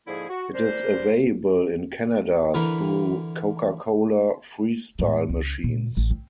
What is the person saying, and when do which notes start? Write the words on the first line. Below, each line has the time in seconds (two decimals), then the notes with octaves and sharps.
It is available in Canada through Coca-Cola Freestyle machines.
0.07 G#2 D3 F3 A#3 E4 G#4
0.29 F#4
0.55 G3 D4 A#4 C5
2.54 D3 E3 A#4 B4
4.99 A2 G#3
5.29 C#2
5.64 A#2
5.97 A1
6.10 C4